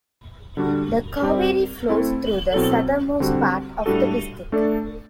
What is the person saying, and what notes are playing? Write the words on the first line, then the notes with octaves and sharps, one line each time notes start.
The Kaveri flows through the southernmost part of the District.
D3 G3 D4 F#4
G3 C4 G4 D5
A3 C4 E4 A4
B2 F#3 C4 E4 A4
D3 G3 C4 F#4
A2 G3 D4 F#4 A4
A3 D4 A4 D5